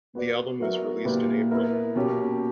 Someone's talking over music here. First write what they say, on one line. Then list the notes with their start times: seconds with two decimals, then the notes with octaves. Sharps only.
The album was released in April.
0.15 B3 F#4 B4 D5
0.60 F#3 B3 F#4 A#4 E5
1.05 A#2 A#3 E4 G4 B4
1.51 B3 E4 A#4
1.96 B2 A#3 C#4 G4